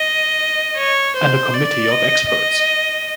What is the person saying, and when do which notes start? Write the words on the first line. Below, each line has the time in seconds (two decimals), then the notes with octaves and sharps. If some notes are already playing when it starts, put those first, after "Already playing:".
And a committee of experts.
Already playing: D#5
0.77 C#5
1.16 C5
1.54 D5
1.92 D#5
2.30 D#5